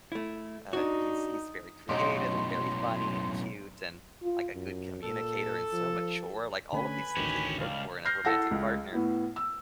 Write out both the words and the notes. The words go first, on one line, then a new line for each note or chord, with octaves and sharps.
uh, he's he's very creative and very funny and cute and, like, a good communicator and so mature, like, all of these things that you look for in a romantic partner,
A3 E4
D4 D#4 F#4
B1 F#2 A2 F#3 D#4 G4 C6
F4
F#2
A#2 A4
F3
D3 A3 C#4 B4 G#5 B5
A1 D2 D#3 C#4 G4
C#2 G3 F5
F6 G6 A#6 C7
E4 A4 F#5 A#6
C#2
A2 B3 E4
E6